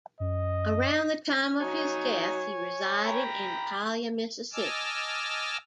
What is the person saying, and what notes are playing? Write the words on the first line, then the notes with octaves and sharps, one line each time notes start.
Around the time of his death, he resided in Byhalia, Mississippi.
F#2 D#5
F#3 D#4 C#5 G#5
G5 A#5 B5
D#5 G#5 A5 D6 E6 F6